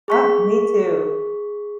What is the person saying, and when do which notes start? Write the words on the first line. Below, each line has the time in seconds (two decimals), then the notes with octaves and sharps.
Uh, me too.
0.08 G#4 C#6 B6